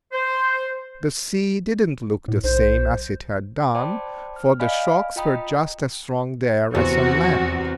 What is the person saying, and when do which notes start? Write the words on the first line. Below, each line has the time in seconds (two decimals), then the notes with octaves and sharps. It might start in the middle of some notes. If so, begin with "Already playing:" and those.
The sea did not look the same as it had done, for the shocks were just as strong there as on land.
0.13 C5
2.28 A2
2.44 B1 C5
3.75 C5 D5 G5 A5 B5 D6
4.36 F6
4.60 D5 D#5 F5 G#5 B5 F6
5.16 F4 D#5 G5 A#5 B5 D#6
6.75 E2 C3 F#4